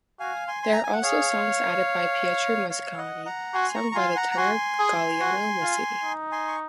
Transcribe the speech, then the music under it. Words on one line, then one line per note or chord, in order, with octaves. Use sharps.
There are also songs added by Pietro Mascagni, sung by the tenor Galliano Masini.
F#4 F5 G#5
G#5 C6
C6
A#5
G#5
F#5
G#4 C#5 F5
C#5 F5
D#5 F#5
F#5 A#5
F#4 G#5 C6
A#5 C#6
A#5
F4 G#5 C6
F#5 A#5
A#5
F#4 G#5 C6
G#4
F#4
F4
D#4
G#5 C6
C#6